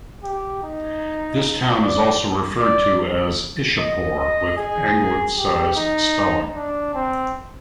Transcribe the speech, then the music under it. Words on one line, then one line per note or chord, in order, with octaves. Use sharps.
This town is also referred to as Ishapore with anglicized spelling.
G4
D#4
D5
D5
D#5
D#5
G#4
G4
D#4
D4
C4